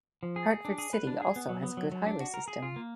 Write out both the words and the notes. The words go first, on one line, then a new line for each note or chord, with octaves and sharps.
Hartford City also has a good highway system.
F3
G#4
G#4
D4
G#4
B4
D4
G#4
B3
F#3
B3
F#3
F#3
D4
F#4
A#4
G#4
F4
A#3